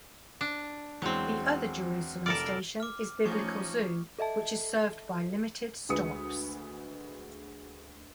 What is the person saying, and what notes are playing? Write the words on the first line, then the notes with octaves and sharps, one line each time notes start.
The other Jerusalem station is Biblical Zoo which is served by limited stops.
D4
E2 F#3 G#3 C4
F1 A4 A#4 D5 F6
D6 F6
F3 A3 C#4 D#4 C#6 D#6 G#6
A4 D#5 E5 A5
D2 G#3 B4 D#6 C#7